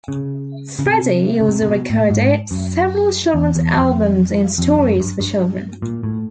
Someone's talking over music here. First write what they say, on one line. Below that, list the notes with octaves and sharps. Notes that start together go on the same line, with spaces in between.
Freddie also recorded several children's albums and stories for children.
C#3
C#3
C3
C#3
C3
C3
B2
A2
G#2
F#2
E2
E2
F2
F2
F#2
G2
G2
A#2
A2